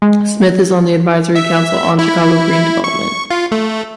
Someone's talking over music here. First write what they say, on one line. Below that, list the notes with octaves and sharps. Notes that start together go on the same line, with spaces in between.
Smith is on the Advisory Council on Chicago Green Development.
G#3
E5
E4
E4
C#6
F4
A3